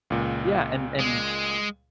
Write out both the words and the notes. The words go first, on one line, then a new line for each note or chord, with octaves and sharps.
yeah, and and
C#2 A#2
G#3